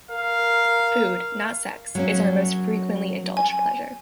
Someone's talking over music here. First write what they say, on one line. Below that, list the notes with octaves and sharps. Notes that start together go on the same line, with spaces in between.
Food, not sex, is our most frequently indulged pleasure.
A#4 F5
F#3 A#3 C#4
G#5